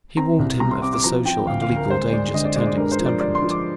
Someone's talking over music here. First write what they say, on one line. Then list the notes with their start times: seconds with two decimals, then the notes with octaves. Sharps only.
He warned him of the social and legal dangers attending his temperament.
0.17 C4 A#5
0.39 C2
0.60 G3 A#5
0.71 C6
0.82 C4 D6
0.93 D6
1.04 F3 A#5
1.26 F3 G5
1.47 D2 F5
1.62 F5
1.69 D2
1.76 A#4
1.90 G#3 C5
2.12 G#3 D5
2.33 D3 D#5
2.45 D5
2.56 G#3 D5
2.67 D5
2.77 G2 A#4
2.92 C5
2.99 F3
3.06 D5
3.20 G2 D5
3.35 C6
3.42 F3
3.50 D6